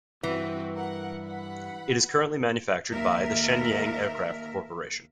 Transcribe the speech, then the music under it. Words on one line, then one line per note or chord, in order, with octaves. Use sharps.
It is currently manufactured by the Shenyang Aircraft Corporation.
G2 E3 C4 F#4 B4
A#4 F#5
F#5 B5
D#2 A#4 E5